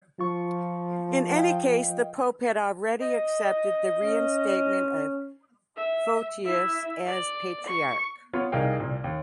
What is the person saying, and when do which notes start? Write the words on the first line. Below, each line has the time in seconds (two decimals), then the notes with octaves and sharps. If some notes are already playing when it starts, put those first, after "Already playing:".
In any case, the Pope had already accepted the reinstatement of Photius as Patriarch.
0.19 F3 F4 C#6
1.34 D#5 F5 G5
3.00 D#5
4.01 C#4
5.77 E5
6.45 E4 E5
7.06 D5
7.67 C#6
8.33 B3 F4 C#5
8.52 C2 D#4 G#4 A#4 F5 G5
8.80 C2 A#2
9.04 D#2